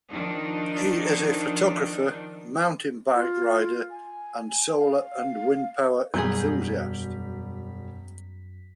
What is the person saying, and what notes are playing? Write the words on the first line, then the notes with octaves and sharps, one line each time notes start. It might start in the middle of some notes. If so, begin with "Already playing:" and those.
He is a photographer, mountain bike rider, and solar- and wind-power enthusiast.
D#3 F3 D4 D#4
F4
G#5
F5
E1 F#2 F#3 G3 G#4 G6 B6